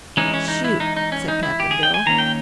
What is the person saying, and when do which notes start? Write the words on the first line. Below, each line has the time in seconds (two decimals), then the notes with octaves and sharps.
"Shoot," said Cap'n Bill.
0.17 E3 G#3 C#4 D#4
0.33 C#4
0.48 D#4
0.64 E4
0.80 D#4
0.97 D#4
1.12 C#4
1.28 D#4
1.43 E4
1.60 G4
1.71 G#4
1.83 G5
1.94 G#5
2.06 D#3 A#3 C#4 A#5
2.18 G5